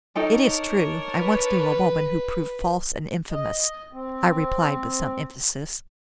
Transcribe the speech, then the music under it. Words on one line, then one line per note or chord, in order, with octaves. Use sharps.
"It is true I once knew a woman who proved false and infamous," I replied, with some emphasis.
D4 D#4 A4 A#4 C#5 G5
B4
D#5
C4